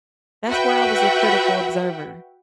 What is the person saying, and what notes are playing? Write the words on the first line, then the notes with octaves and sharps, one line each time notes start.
That's where I was a critical observer.
F#4 B4 E5 F#5 G5